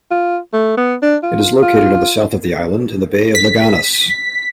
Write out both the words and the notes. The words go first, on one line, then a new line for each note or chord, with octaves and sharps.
It is located on the south of the island, in the Bay of Laganas.
F4
A3
B3
D4
F4
F4
B6